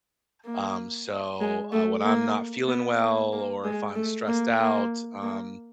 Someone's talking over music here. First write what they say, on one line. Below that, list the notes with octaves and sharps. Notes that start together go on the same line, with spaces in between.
um, so, uh, when I'm not feeling well or if I'm stressed out, um,
A#3
G#3
A3
A#3
B3
A#3
A#3
G#3
A3
A#3
A#3
A#3